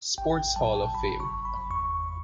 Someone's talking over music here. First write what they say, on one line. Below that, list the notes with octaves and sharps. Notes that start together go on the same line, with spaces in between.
Sports Hall of Fame.
A1 G5
F#3 A5
G1 B5
C#6
G1
B5
E2 C#6